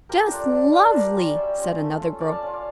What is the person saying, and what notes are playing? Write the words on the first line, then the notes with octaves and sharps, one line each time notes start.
"Just lovely!" said another girl.
F3 G4 A#4
A3 D4 F4
F3
A3 D4 F4
G3 A#4 D5
C#4 F4
G3 C#5 E5
C#4 F4
A3
C#4 F4
A3 D5 F5
F5 A5
C#4 F4
D5 F5